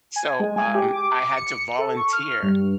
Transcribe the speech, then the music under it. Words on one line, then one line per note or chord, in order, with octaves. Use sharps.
so, um, I had to volunteer
G#5
G#3
G#5
G4
D6
C#7
A4
C#6
F6
G2